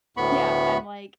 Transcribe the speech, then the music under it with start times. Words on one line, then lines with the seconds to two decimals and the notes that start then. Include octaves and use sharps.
Yeah, I'm like
0.17 D2 A2 B3 B5 C#6